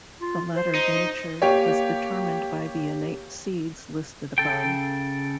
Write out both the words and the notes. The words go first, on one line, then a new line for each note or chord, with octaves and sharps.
The latter nature was determined by the innate seeds listed above.
F4
C5
D#4
A#3 G4 C#5
C#3 A4 G5